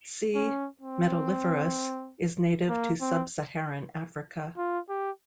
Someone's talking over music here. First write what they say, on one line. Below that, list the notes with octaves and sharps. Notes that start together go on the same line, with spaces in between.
"C. metuliferus" is native to Sub-Saharan Africa.
C#4
C4
A#3
C4
F4
G4